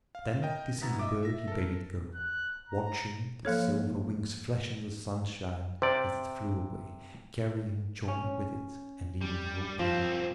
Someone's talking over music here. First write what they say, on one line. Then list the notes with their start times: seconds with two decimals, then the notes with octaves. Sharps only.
Then kissing the bird he bade it go, watching the silver wings flash in the sunshine as it flew away, carrying joy with it and leaving hope behind.
0.15 F5
0.42 A#4 D#5 G5
0.81 B2 B3 E4 E5 A#5 A6
0.99 D#5 E5 D6
1.23 E5 A#6
1.48 A4 A#4
2.15 F#6
2.69 A#5
3.45 F3 A#3 A4 C#5
5.82 C3 C5 D5
8.08 C#4
9.21 G3
9.79 C2 F3 C4